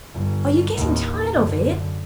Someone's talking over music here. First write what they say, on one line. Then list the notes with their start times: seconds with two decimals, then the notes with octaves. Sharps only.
Are you getting tired of it?'
0.13 G1
0.74 A1 D#2
1.32 F#2 D3